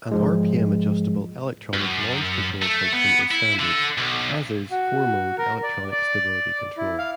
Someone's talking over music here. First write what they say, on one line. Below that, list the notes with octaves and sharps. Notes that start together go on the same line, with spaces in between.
An rpm-adjustable electronic launch-control function is standard, as is four-mode electronic stability control.
G#2 F3 G#3
F#2
A3
B3
E4
D3
B1
F#4
A#4
D5
D5
E4
F5